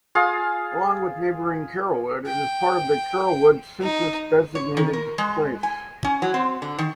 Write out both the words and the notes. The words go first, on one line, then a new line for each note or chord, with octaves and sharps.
Along with neighboring Carrollwood, it is part of the Carrollwood census-designated place.
F4 G#4 F5 D#6
G5
D#4
C#5
D#3
A#4
G#3
G#5
C#4
F#3
C4
D3
D#3